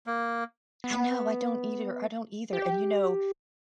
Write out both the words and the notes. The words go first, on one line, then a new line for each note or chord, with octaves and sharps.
I know, I don't either, I don't either and, you know,
A#3
B3
G4